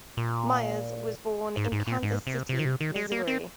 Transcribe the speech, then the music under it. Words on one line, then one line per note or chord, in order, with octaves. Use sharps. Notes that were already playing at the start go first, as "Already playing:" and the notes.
Myers was born in Kansas City, Missouri.
A#2
G#2
G#2
A#2
G#2
C3
C3
D#3
C3
D#3
G#3
A#3
C4